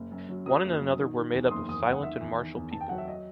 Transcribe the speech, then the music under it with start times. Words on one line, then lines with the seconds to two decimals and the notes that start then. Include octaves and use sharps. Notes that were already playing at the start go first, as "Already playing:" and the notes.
One and another were made up of silent and martial people.
Already playing: F#1
0.11 F#2
0.29 F#3
0.46 F#3 D#6
0.64 F#1
0.81 F#2
0.99 D#3
1.16 D#3
1.33 E2
1.46 D#6
1.51 F#1 C6
1.69 E2 D#6
1.86 F#1 F#5
2.03 D#3 E5
2.20 E2
2.38 D#3
2.56 E2
2.72 E2 A5
2.81 G5
2.89 F#3 F#5
2.98 E5
3.08 D#5